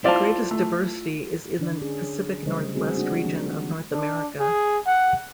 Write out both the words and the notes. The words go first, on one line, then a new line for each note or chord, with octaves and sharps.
The greatest diversity is in the Pacific Northwest region of North America.
C4 E4 F4 D5 F5 A5
A3
D3 D4 D5
C#4 G#4
C#3 F#3 G3 A3 C5 D#5
G3 G#3 C4 F#4 G#4
A#3 D4 F#4
D#3 F3 G#3 C4 D4
D4
G#4
F#5